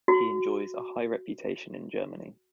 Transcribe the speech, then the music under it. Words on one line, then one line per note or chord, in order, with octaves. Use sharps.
He enjoys a high reputation in Germany.
F#4